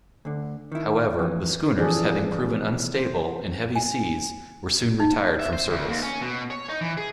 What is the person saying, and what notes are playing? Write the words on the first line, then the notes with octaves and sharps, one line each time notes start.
However, the schooners, having proven unstable in heavy seas, were soon retired from service.
D2 D3
D#3 E4
F2 E3
E3 F3 C4 G#4 A4 D5
C5
G#5
D#4
E5
C5
D2
D#2
C#4
B2
C#5
D#4
E3
G#4